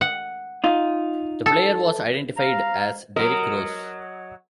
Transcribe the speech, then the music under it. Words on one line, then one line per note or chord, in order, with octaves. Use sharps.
The player was identified as Derrick Rose.
F#5
D#4 F4
A4
F5 A#5
F#3 A#4 D#5